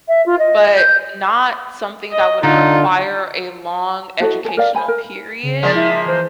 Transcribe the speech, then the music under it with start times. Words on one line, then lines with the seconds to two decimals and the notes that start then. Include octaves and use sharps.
but not something that would require a long educational period,
0.08 E5
0.26 F4
0.39 D#5
0.77 G6
2.11 D#5
2.43 D3 D#4 F4
4.20 E4 F#4 A4 D#5
4.45 A4 G#5
4.57 A#4 D5 F5
4.75 C5 E5 G#5 B5
4.88 A#4
5.43 C#3
5.63 F3 G#3 A#3 D5
5.75 E4 E5
5.91 B6
6.06 E3 C5